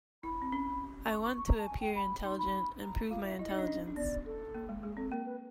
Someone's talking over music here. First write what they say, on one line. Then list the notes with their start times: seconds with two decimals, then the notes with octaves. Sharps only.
I want to appear intelligent and prove my intelligence.
0.23 E4 B5
0.42 C4
0.52 C#4
1.10 C#6
1.23 C#6
1.38 C#6
1.48 A#5
1.58 A5
1.67 G#5
1.81 G5
1.95 B5
2.24 D#4 C6
2.38 B5
2.82 A#5
3.10 F4 F5
3.24 E4 E5
3.39 E4 D#5
3.49 D#4
3.59 D4
3.68 C#4
3.88 D4
3.96 B3 D5
4.25 A4
4.54 A#3
4.69 G#3
4.83 G#3 G#4
4.97 C4 A4
5.11 A#3 A#4
5.25 B4